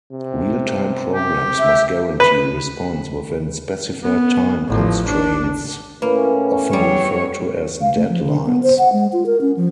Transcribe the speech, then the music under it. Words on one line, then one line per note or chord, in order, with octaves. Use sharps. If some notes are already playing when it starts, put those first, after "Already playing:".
Real-time programs must guarantee response within specified time constraints, often referred to as "deadlines".
C3
G4
E5
B4
B3
A1 F3
D4
A2 A#3 C#4 B4
F#3 G3 C#5
F5
A3
F3
D3
B3
C5
F#5
G#3
F4
A#4
C#4
F3